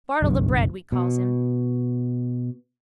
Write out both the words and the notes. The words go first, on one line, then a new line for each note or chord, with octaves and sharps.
Bartle the Bread we calls him.
F#1 B1 G2
B2